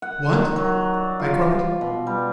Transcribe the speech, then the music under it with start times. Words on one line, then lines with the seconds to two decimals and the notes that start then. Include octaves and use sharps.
"What!" I cried.
0.02 F#5
0.33 D#3
0.56 F#3
0.94 D5
1.20 F4
1.81 B2
2.07 G3